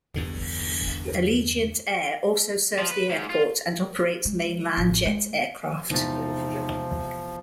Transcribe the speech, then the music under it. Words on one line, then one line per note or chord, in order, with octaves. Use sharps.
Allegiant Air also serves the airport and operates mainline jet aircraft.
E2 G2 D3
F3
B4
G#2
F4
G#3
A1
G#3
E2 C3 F3 G#3 D#4 A6